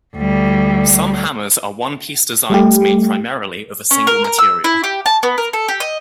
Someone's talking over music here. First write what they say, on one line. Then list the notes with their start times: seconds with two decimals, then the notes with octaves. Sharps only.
Some hammers are one-piece designs made primarily of a single material.
0.15 D2 G3
2.50 G3 A3 G4
3.91 C#4
4.07 A#4
4.24 A#4
4.38 E6
4.64 E4
4.84 G4
5.06 A5
5.23 B3
5.38 A#4
5.53 A4
5.68 G4
5.80 D#5